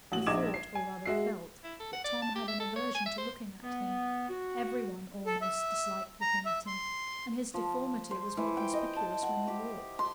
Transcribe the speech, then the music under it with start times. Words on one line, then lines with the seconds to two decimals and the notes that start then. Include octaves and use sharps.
He thought, or rather felt, that Tom had an aversion to looking at him; every one, almost, disliked looking at him; and his deformity was more conspicuous when he walked.
0.12 A1 F#4 F#7
0.27 A#1 D#4 D6 G#6 E7
0.54 C7
0.75 G#5
1.05 G#3 F#4 E5 C7
1.64 E4
1.80 A4
1.93 F#5
2.04 D5
2.22 A5
2.35 G4
2.48 E5
2.60 A4
2.76 C#5
2.95 G#5
3.06 E5
3.18 C5
3.64 B3
4.29 F#4
5.26 A4
5.42 E5
6.21 A#5
6.46 E5
6.67 C6
7.54 F3
8.11 C5
8.37 E3
8.57 G5
8.73 D#5
8.96 A5
9.23 F#5
9.47 G4
9.99 C6